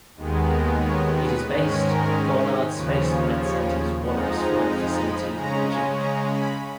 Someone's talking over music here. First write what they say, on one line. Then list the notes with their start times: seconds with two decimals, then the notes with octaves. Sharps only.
It is based at Goddard Space Flight Center's Wallops Flight Facility, Virginia.
0.16 D#2 D#3 G#3 B3
0.48 A#4
0.79 C#5
1.13 B4
1.44 G#2 D#3 G#3 C#4
1.76 A#4
2.73 D#2 C#3 F3 B4
3.06 C#5
3.38 C#5
4.02 F2 F3 G#3 D#4 F#5
4.35 A#5
4.67 B5
4.99 B5
5.31 C#3 G#3 C#4 A#5
5.96 A#5
6.28 B5